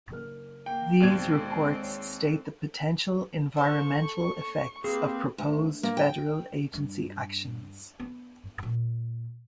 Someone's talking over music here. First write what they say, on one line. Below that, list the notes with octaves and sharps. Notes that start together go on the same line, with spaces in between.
These reports state the potential environmental effects of proposed federal agency actions.
F#1 A#4 F6
A#3 G5
D#2 B2 G#3 C4 G4 D5 G#6
C#5
A4 C5 C#5 C#6
A#3 C4 G4 G#4 B4 C5
D2
A#3
G5
G2
B3
A#2